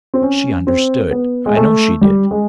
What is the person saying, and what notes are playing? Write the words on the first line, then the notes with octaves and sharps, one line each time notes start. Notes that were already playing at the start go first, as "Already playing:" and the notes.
She understood, I know she did.
C4
C#4
C4
B3
G#3
A3
G3
G#3